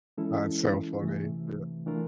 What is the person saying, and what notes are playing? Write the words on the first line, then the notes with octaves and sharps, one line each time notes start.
That's so funny, yeah.
E3 G#3 C#4 E4 A4
C3 E3 A3
E3 A3 D4 F4 A#4